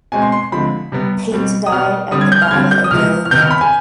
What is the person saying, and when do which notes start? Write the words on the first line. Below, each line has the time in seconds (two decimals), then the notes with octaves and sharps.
Pate died at the Battle of Yellow Tavern.
0.12 B2 G#3 C4 G#5
0.22 C6
0.32 C6
0.52 D3 F3 G#3 C4 B5
0.92 C3 G3 B3
1.32 B2 G3 C4
1.66 D#6
1.72 B2 B3 F6
2.11 D3 G3 C4 D#6
2.21 G#6
2.32 G6
2.42 F6
2.51 D3 G3 C4 G#6
2.71 G6
2.84 D#6
2.91 C3 F3 G#3 F6
3.25 F6
3.31 C3 D#3 B3 G6
3.41 F6
3.51 B5
3.61 G#5